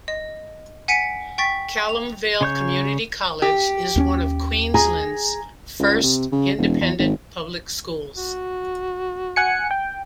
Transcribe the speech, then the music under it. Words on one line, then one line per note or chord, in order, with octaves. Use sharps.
Calamvale Community College is one of Queensland's first Independent Public Schools.
D#5
F#5 G#5 B6 C#7 D7
G5 C#6 A6 B6
F7
C#3 C#5 G6
G4
D#2 C4 C#4
G#4 G#5 A#5
C#2
C3
C#3
E1
E2
G#1
F#4
F#5 G#5 C#7
G5